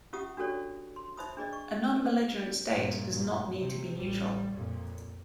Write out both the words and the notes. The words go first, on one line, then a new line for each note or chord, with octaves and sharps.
A non-belligerent state does not need to be neutral.
C#4 F4 G4 E5 F#5 D#6
D4 F#4 G4 A4 C#5 D5
C6
D#4 C5 E5 B5 D#6
D4 G#4 D5 D#5
C#6
G2 A#2
C3
A1 G3
F2 A#2